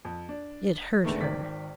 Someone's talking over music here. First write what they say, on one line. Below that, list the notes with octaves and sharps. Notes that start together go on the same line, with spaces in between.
It hurt her.
F2
D4
E2 D3 D#3 G#3 A3 B3
G#1 D#3 D5 B6